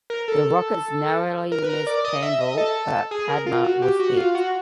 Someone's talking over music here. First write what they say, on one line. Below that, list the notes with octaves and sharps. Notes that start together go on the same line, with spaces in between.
The rockets narrowly missed "Panvel" but "Padma" was hit.
A#4
A4
A#4
B4
A#4
D5
D#5
E5
D#5
A4
G#4
A#4
F4
F#4
G4
F#4
F4
F#4